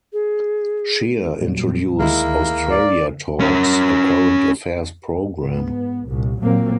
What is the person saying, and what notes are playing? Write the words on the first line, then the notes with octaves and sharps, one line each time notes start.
Shier introduced "Australia Talks", a current affairs program.
G#4
A#2 F#3 G3
D2 D#3 G#3 A#3 E4
D5
C#4 A#4
G#2 B3
C2 A#2
A#2 F#3 A#3 C4